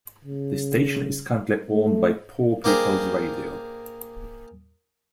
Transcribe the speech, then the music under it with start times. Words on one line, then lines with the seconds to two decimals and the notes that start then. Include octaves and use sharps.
The station is currently owned by Poor People's Radio.
0.25 C#3
1.72 A3
2.64 A#3 D4 G4 G#4 A#4 C5